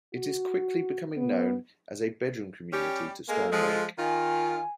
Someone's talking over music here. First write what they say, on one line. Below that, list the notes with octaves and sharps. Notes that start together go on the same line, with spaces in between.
It is quickly becoming known as a "bedroom community" to Storm Lake.
F#4
B3
G3 C#4 G4
G#3 A#3 A4
F3 G#3
D#3 F4 G#5